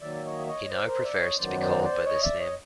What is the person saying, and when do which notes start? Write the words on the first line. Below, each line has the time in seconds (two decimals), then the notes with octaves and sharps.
He now prefers to be called by this name.
0.01 D#3 F#3 A#3 D5 E5
0.15 E5
0.25 C#5 D#5
0.39 E5
0.47 C#5 D#5
0.66 D#5
0.70 C5 D5
0.87 A#4 C5
1.04 D5 E5
1.20 C#5 D#5
1.37 F#2 D#3 F#3 B3 C5 D5
1.61 C5 D5
1.83 C5 D5
2.05 C#5 D#5
2.22 D5 E5
2.39 C#5 D#5